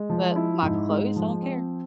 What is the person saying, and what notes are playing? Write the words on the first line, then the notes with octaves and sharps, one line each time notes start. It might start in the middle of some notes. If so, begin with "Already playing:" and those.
but my clothes, I don't care.
Already playing: G#3
F3
E4
G#2
G#3
F3
C4